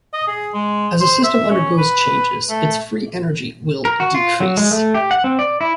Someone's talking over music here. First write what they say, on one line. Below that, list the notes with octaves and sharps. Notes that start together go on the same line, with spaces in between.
As a system undergoes changes, its free energy will decrease.
D#5
G#4
G#3
C5
E5
C#4
B4
A3
A#4
F#4
F4
F#3
G#3
A3
G4
F#5
C4
D5
E4